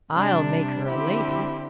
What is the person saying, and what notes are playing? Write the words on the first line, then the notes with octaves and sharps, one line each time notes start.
"I'll make her a lady."
C3 G3 D4
D3 C4 E4 G4